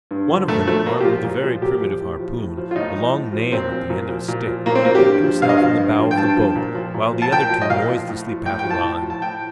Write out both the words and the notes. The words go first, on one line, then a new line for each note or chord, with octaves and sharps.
One of them, armed with a very primitive harpoon--a long nail at the end of a stick--kept himself in the bow of the boat, while the other two noiselessly paddled on.
G2
D3 F3
A#2 A3
F3 A3
A#2 A#3
G4
F3 F4
A#2
F3
A#2 G4
F3
A2
F3
A2
F3
F4
A2 D#4
F3
A2
F3
A#2 C4
F3
A#2
F3
A#2
F3
A#2 A#3
C4
F3 A#3
G4
G2
F3
G2 F5
D#5
F3 F5
G2
F3
G5
G2 A5
F3
A#2
F3
A#2
F3
A5
A#2 G5
F3
D#5
A#2 F5
F3
A2
F3
A2 G5
G5
F3
A5
A2
F3
A5
A2 G5